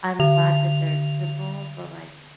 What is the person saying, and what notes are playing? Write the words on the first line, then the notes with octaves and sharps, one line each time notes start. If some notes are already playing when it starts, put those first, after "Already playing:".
I'm glad that they're civil, but, like,
D3 F7